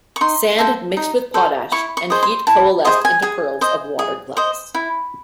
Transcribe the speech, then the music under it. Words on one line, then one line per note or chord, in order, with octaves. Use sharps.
Sand mixed with potash and heat coalesced into pearls of water glass.
C#6
D#4 C6
A4 C5
D#4
A4 C5
E4 C#6
C#6
G#4 C5 D#5
C6
E4 A5
G#4 C5 D#5 C6
G#5
G#4 G#5
C5 D#5
G#4
C5 D#5
E4